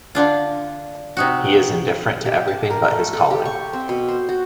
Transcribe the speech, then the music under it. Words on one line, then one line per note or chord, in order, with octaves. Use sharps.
He is indifferent to everything but his calling.
D3 D4 F4
C3 D#4 F#4
G4
A5
A#4
A3
A4
G4
C#6
C4
B2
C5
F#4